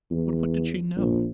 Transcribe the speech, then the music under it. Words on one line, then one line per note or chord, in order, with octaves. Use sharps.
"But what did she know?"
E2
A#1